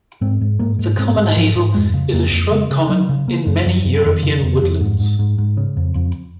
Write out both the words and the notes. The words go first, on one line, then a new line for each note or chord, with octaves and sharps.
The common hazel is a shrub common in many European woodlands.
G#2 C4
G#2
G#2 A#3
G#2
G#2 C4
G#2
G#2 F3
G#2
F2 G#3
C#3
F2 A#3
F2
C#3 G#3
C#3
C#3 F#3
C#3
C#3 A#3
F#2
F#2 F3
F#2
F2 D#3
C#3
F2
F2
G#2
G#2
G#2
G#2
C#3
F2
F2